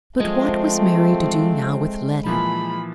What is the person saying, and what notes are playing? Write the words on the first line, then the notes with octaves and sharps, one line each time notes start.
But what was Mary to do now with Letty?
F3 G#3 A3 C4
A#2 E3 F3 B5